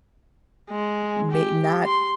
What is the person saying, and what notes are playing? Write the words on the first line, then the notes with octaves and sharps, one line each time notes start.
ma not
G#3
G4
C6